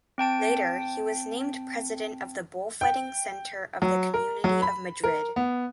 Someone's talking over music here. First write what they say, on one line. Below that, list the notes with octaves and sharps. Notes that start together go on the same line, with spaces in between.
Later he was named President of the Bullfighting Center of the Community of Madrid.
C4 G5 A5 D7
G5
F#3
A#4
F#3
B5
A#4
B3